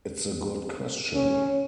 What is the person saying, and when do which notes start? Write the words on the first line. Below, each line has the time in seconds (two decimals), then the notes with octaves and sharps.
It's a good question.
1.15 C#4